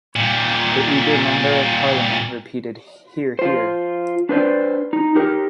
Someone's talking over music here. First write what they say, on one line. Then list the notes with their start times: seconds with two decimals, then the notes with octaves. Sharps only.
The eager Member of Parliament repeated hear, hear.
0.16 A#2 G3
3.39 F4 C5
4.29 D4 B4 C5 D5
4.93 D#4
5.15 D#4 G4 A#4